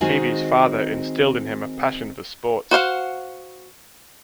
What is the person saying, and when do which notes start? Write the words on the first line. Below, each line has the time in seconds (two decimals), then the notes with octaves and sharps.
Keady's father instilled in him a passion for sports.
0.01 D#3 G#3 C4 D#4 F#4 G#5
2.71 F#4 C5 F5 F#5